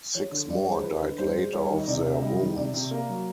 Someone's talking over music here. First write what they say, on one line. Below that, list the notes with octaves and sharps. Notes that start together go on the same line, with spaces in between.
Six more died later of their wounds.
F3 C#5
D3
G2 D5
G#3 C#5
C5
F3 B4
D3
G2 C5
G#3
G3 C#5
D#3
D#5
C3 D5
C3
E5
G3 D#5
D#3
C3 D5
C3
A#3
F#3